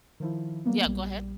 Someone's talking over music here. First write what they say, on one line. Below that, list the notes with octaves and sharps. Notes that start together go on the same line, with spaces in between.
Yeah, go ahead.
D#3 F3 E4
F#3 G3 A#3 B3
A#1 G3